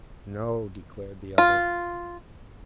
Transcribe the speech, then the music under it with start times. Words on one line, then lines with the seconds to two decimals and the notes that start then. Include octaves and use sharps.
"No," declared the other.
1.38 F4